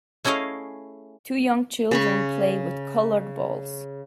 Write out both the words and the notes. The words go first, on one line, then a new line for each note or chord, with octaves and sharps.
Two young children play with colored balls.
A3 C#4 E4 G#4 D#5 F5
C#3 B5 C#6